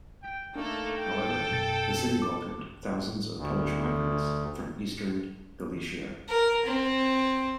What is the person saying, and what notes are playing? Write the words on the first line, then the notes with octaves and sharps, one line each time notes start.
However, the city welcomed thousands of Polish migrants from Eastern Galicia.
G5
A3 A#3 D4 D#4 A4
A4 G5
F#2 B2 A6
D6
D2
A#4
C4